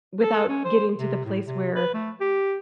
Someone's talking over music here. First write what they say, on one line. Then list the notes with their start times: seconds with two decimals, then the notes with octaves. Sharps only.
without getting to the place where
0.23 A4
0.49 C#4
0.65 C5
0.98 C3
1.25 A2
1.46 C3
1.76 B4
1.94 A3
2.21 G4